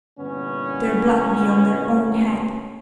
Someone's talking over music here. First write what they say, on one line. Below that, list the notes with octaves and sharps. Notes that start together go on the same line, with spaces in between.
Their blood be on their own head!
G2 A#2 D3 E3 B3 C#4